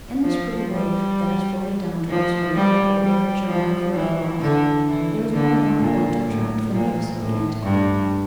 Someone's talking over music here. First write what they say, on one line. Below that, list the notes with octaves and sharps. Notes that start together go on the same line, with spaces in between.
In this pretty waif that has floated down to us from the wreck of a literature now forever lost, there is more than one point to attract the notice of the antiquary.
F3
G3
F3
G3
G3
F3
E3
D3
E3
D3
A#2
A2
A#2
A2
G2